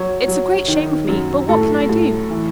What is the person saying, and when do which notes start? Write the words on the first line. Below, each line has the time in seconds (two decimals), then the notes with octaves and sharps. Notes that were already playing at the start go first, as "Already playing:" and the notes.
It's a great shame of me; but what can I do?
Already playing: F#3 C#5
0.28 F#3
0.68 D#3
1.09 F#2
1.49 A2 A4
1.89 A2
2.30 E3